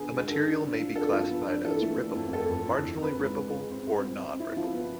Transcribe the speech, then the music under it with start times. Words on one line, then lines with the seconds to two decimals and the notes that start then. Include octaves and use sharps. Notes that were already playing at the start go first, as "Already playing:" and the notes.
A material may be classified as rippable, marginally rippable or non-rippable.
Already playing: D3 B3 G#4
0.10 G#3
0.27 D3 A4
0.45 D4
0.61 D4
0.79 F3
0.96 D4 A4
1.13 F3
1.30 B3
1.47 D4
1.64 E3 A4
1.82 A3
2.00 E3
2.16 F2
2.33 F2 A4
2.51 F2
2.68 E3
2.85 F2
3.02 C4 B4
3.19 G#2
3.37 G#3
3.53 G#3
3.71 C4
3.88 C4
4.05 C4
4.22 C4
4.40 E4
4.57 F3
4.74 B3